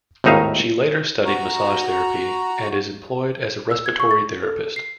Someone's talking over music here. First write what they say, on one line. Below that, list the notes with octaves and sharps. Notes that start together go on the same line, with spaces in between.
She later studied massage therapy and is employed as a respiratory therapist.
G#1 D#2 A2 D#4 E5 F5
F#4 A#5
E6
G#6
C#6
A6
A4
C7